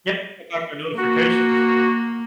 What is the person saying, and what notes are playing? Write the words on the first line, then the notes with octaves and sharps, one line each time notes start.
Yeah, with like the notifications.
A#3 F#4